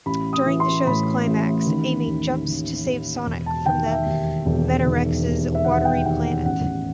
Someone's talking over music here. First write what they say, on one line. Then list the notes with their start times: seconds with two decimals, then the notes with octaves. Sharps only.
During the show's climax, Amy jumps to save Sonic from the Metarex's watery planet.
0.06 A1 B5
0.33 D#6
0.46 E3
0.60 C6
0.87 A2 B5
1.27 A1
1.66 D#3
2.06 D#2
2.46 D#3
2.85 D#2
3.26 E1
3.46 A5
3.65 D#3 G5
3.86 E5
4.06 D#2
4.46 E1
4.85 D#3
5.25 D#2
5.55 E5
5.65 D#3 F#5
5.85 G5
6.05 D#2 G5
6.25 F#5
6.45 A1 F#5